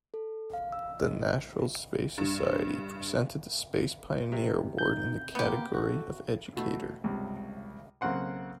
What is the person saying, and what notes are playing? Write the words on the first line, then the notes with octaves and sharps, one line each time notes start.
The National Space Society presented the Space Pioneer Award in the category of Educator.
A4
F5
E6
D#5
G2
C3
D#4 G6
A#3 B3 G4
F#4 A4
B2 A3
C#2 G2 C3
B1 C#3 A#3 C4 F#5 C6